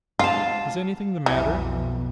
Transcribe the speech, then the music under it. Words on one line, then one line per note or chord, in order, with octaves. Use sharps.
'Is anything the matter?
F4 F5 A5
B1 F2 B2 E3